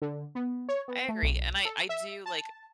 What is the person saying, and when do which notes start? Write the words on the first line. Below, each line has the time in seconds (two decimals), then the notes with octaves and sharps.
I agree, and I I do, like
0.02 D3
0.35 B3
0.69 C#5
0.88 B3
1.09 A3
1.22 B1
1.65 A4
1.89 E5
2.26 A5